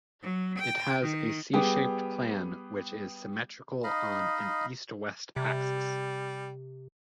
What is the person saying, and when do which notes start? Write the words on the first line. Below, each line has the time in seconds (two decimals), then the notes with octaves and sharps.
It has a C-shaped plan which is symmetrical on an east-west axis.
0.22 F#3
0.58 G5
1.02 D#3
1.53 G3 B3 G4 G#4
3.84 D#4 D#5 F5 B5
5.36 C3 G3